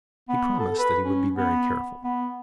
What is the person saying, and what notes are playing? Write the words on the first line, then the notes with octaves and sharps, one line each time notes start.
He promised that he would be very careful.
B3
A4
B4
C#4
B3
B3